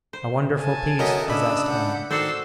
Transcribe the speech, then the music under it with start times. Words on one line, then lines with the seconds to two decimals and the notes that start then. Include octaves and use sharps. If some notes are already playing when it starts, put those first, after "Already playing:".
A wonderful peace possessed him.
0.13 C5
0.58 G#5 A5
0.99 F#3 A3 B3 A#4 D#5 A#5
1.28 C#3 D4 D#5 B5 E6
1.69 F#5 G6
2.11 D#3 F#4 A4 C5 D5 E6 C7